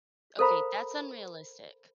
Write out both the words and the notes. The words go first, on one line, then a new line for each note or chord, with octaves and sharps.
Okay. That's unrealistic.
A4 A#4 C5 F5 A#5 B5